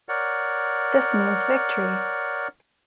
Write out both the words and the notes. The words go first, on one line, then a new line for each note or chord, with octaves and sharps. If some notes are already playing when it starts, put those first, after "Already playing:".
This means victory.
A#4 C#5 D5 F#5